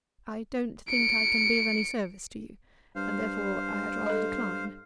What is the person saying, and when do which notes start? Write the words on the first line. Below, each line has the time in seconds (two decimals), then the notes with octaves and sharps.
"I don't think I can be of any service to you, and therefore I had rather decline."
0.89 C#7 D7
2.96 G2 C5 F5
4.06 A4 D#5